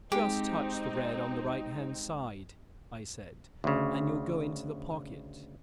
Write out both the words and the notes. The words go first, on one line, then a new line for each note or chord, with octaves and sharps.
"Just touch the red on the right-hand side," I said, "and you'll go into the pocket."
G#3 C4 D#4 G4
D2 C#3